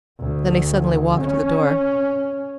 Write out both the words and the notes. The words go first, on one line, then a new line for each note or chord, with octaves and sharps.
Then he suddenly walked to the door.
D2
C#4